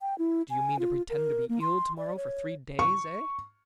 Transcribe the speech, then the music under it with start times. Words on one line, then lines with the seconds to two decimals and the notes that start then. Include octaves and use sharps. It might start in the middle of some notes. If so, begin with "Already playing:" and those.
"Do you mean to pretend to be ill to-morrow for three days, eh?"
0.01 G5
0.18 E4
0.50 G#5
0.79 F4
1.10 A#4
1.49 A#3
1.61 C6
1.98 D5
2.16 C#5
2.79 C#6